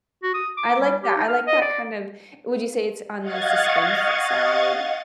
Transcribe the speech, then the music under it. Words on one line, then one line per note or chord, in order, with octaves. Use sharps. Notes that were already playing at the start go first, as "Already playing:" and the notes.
I like that I like that kind of would you say it's on the suspense side?
F#4
D#6
D6
G3
G4
D#4
F5
D#5
D5
D#5 F5 F#5 C#6 G#6 A6